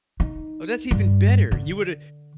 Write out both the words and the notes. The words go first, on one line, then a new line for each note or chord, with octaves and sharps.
Oh, that's even better. You woulda
D#4
G2
D3